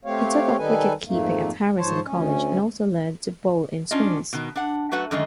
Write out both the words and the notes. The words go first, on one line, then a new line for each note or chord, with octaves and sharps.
He took up wicket-keeping at Harrison College and also learned to bowl inswingers.
A3 C4 G4 C#5 F5
D#3 G3 D#4 A4 B4 G#5
F2 G#2 A3 A#3
G#2 F3 C5 C#5 A5
D2 C#4
C#4 D4 F4 D#5
B2 D#3
D4 F#5
F#3 A3 F#4 B4 F#5
F#2 D3 D#3 G#3 A3 D#5